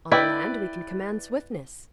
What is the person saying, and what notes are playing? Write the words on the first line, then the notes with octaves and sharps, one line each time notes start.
On the land we can command swiftness.
E4 B4 D5 G5